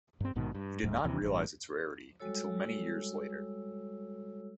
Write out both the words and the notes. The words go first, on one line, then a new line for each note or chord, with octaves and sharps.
He did not realize its rarity until many years later.
G2 C4
A#1 G#2 B2 D#3
G2
D1 D2 G#2
D#2 C3 E3
A1 G2
G3 G#3 F#4 A4 C#5 E6